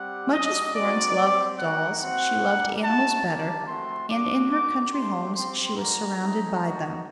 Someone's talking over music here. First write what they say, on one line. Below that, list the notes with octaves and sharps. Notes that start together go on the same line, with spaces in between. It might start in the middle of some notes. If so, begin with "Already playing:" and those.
Much as Florence loved dolls, she loved animals better, and in her country homes she was surrounded by them.
Already playing: G3 C4 G4 F#5
G3 D4 F#4 D#5
C4 D#4 F#4 D5
C4 G4
A#3 D#4 F#4 F#5
C4 F#4 F#5
G3 A#3 D4
A3 D#4 F#4 A5
A#3 D4 G4 A5
A3 C4 F#4 C6
G3 D4 F#4 D6
A#3 F#4 D6
A3 D4 G4 C6
C4 G4 C6
A#3 D4 F#4 A#5
A3 C4 D#4
A#3 D#4 F#4